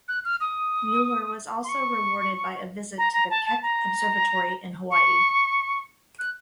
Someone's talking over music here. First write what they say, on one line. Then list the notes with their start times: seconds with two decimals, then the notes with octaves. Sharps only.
Mueller was also rewarded by a visit to the Keck Observatory in Hawaii.
0.08 F#6
0.25 F6
0.41 D#6
1.64 C6
1.69 C#6
2.98 A#5
3.13 A#5
3.30 A5
3.45 A5
3.62 A#5
4.91 C#6
6.19 F#6